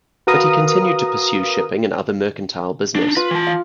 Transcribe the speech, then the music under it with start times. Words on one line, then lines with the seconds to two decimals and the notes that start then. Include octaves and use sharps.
But he continued to pursue shipping and other mercantile business.
0.27 F#4 A#4 B4 F5 A#5 D#6
2.96 D4 D#4
3.17 F4 B4
3.31 E3 A5
3.47 F5